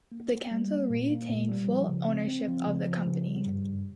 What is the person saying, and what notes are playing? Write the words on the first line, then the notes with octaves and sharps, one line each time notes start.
The council retained full ownership of the company.
A#3
A#3
G3
A#3
A#2
A#3
A#2
G3
F3
C#3
C4
C4
F3
C#3
F3
C#3
G3
G2
G2